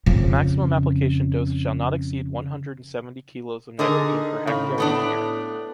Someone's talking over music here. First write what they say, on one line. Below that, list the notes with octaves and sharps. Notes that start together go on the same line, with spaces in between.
The maximum application dose shall not exceed one hundred and seventy kilos of nitrogen per hectare and year.
F2 C#3
D3 D#4 G#4 A#4
A2 C#3
A3 B3 D4